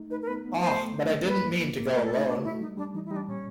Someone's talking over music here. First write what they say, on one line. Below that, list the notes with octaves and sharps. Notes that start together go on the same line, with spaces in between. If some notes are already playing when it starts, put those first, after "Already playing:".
Ah, but I didn't mean to go alone!
Already playing: A3 D#4
D#4 B4
A#4
B3 B4
B3
A3 C5
A3
D4
F#3
A#3 B4
A#3
A#3
A#3
A3 A#4
A4
A3
D#4
D4 F#4
A3 E4
G3 D#4
G3 D4
E3 D#4
E4
G3 D#4
D4
A#2 C#4